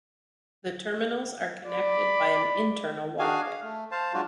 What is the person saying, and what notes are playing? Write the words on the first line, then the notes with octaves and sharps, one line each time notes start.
The terminals are connected by an internal walkway.
D5 B5
D4 F#4 G#4 F5 G#5
F5
A3
C5 F5 A5
F#3 G#3 D4 F4 F#4